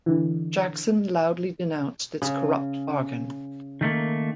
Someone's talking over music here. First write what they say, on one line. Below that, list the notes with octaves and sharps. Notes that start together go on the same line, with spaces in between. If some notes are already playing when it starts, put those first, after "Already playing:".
Jackson loudly denounced this corrupt bargain.
D3 E3
C#3
D#3 A3 A#3